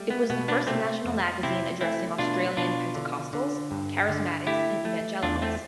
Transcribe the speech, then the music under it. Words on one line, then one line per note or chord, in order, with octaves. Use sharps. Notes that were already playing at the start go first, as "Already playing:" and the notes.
It was the first national magazine addressing Australian pentecostals, charismatics and evangelicals.
Already playing: G3 A3
B3
B2 B3
B3 D4
C3 A3 C4
F2
C3 C4 E4
A3 C4 E4
B2 D4 F4
B2 D4 F4
D3
D3
G2
D3
A3 E4 G4
A3
E2 D4 F4
A3 C4